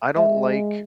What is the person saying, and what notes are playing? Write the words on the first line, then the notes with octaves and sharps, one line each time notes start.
I don't like
G#3 E5